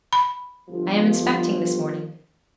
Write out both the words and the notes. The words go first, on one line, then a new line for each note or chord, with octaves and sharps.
I am inspecting this morning.
B5
G1 F3